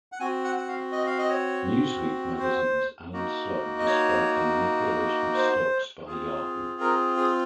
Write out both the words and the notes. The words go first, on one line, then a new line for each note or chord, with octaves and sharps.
"Newsweek" magazine's Allan Sloan described the manipulation of stocks by Yahoo!
F#5
C4 F#4 G#5
F#5
F#5
F5
D#5
F5
D#5
C#5
C5
A#3 D#4 F#4
D#5
C#5
C5
C4 F4 G#4
A#4
G#4